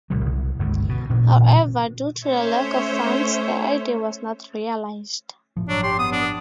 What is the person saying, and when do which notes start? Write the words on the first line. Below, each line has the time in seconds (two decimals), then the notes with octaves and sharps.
However, due to the lack of funds, the idea was not realized.
0.10 D#1 C#2 B2 F#3
0.26 C2
0.59 G1 C#2 C#3
0.89 B2
1.10 A1 A#2 D3 C#4
2.24 A3 C#4 C5 C#5 E5
5.57 G1 A2 F3
5.68 F#3 D4
5.83 G4 C6
5.99 B3 D#6
6.12 D4